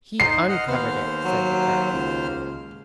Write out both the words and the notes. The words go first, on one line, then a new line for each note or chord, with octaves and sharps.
"He uncovered it," said De Craye.
D#4 C5 C7
D#5 F#5 F6
D#2 B3 C5 F6
F#3
C#2